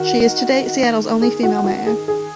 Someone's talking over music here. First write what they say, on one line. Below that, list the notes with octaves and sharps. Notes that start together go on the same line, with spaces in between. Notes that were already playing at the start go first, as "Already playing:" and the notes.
She is to date Seattle's only female mayor.
Already playing: D#3 F#4
G#4
F#4
F#4
G#4
G#4